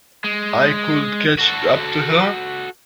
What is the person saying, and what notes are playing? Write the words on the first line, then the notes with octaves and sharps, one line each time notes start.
I could catch up to her.
G#3
F#4 A4